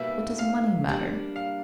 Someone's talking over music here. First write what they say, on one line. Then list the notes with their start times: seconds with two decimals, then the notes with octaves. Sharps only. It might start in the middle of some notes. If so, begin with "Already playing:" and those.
What does money matter?
Already playing: B2 G3 A#3 D#4 E5
0.39 F5
0.88 G3 A#3 D4
1.36 F5